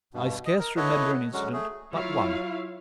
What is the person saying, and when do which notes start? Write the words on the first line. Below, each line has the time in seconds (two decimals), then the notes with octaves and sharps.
I scarce remember an incident but one.
0.14 G2 B2
0.46 D#5
0.59 A#4
0.77 E4 F#4 A4 B4 C#5 D#5
1.33 D3 F#3 G#3 C#4 F#4
1.53 A3 G#4
1.94 F#3 E4 F4 C#5 E5 F5